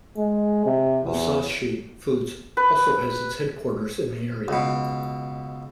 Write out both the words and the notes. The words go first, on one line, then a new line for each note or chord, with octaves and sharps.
Musashi Foods also has its headquarters in the area.
G#3
C3
E2
B4
C#2 B2